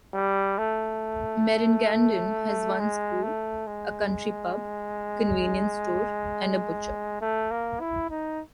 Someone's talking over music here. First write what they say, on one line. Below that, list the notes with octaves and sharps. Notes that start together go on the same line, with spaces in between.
Meringandan has one school, a country pub, convenience store and a butcher.
G3
A3
G#3
A3
G#3
A3
A#3
E4
D#4